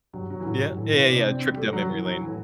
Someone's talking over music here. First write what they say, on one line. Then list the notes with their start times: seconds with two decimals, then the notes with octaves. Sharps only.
Yeah, yeah, yeah, yeah, a trip down memory lane.
0.13 G2 F#3
0.30 F#3
0.40 E3
0.45 A2 F#3
0.62 G2
0.77 A2 E3
0.93 B2
1.09 C3 D4
1.25 C4
1.40 C4
1.52 G3
1.57 A3
1.73 F#3
1.88 E3
2.05 F#3
2.20 E3
2.28 A2